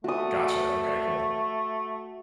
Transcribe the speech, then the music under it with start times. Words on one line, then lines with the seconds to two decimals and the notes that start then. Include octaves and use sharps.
Gotcha, okay, cool.
0.04 A3 F#4 D#6